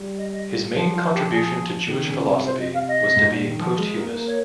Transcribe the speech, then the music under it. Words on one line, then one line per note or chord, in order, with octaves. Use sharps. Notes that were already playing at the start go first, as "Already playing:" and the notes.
His main contribution to Jewish philosophy was to be posthumous.
Already playing: G3
D#5
D#5
F3 F4
G4
F4
G4
G#4
D#3
C#3
C3
C5
D#5
F5
D#5
C3
G#2
A#2
D#3
F3
G#3
A#3
A#3
C#5